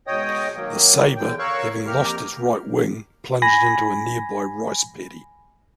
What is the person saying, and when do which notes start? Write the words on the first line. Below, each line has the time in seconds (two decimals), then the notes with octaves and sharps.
The Sabre, having lost its right wing, plunged into a nearby rice paddy.
0.07 G#2 B2 C#5 D#5 G5 D#6
0.56 D#3 F#3 A#3
1.17 E2 D3 G5
1.39 A#4 C#5 F5 C#6 E6 F#6
1.87 F2 A#3 G4 A#4 F6
3.42 G#5 B5 A#6